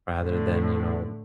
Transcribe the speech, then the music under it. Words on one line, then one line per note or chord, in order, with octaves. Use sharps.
rather than, you know,
A2 D3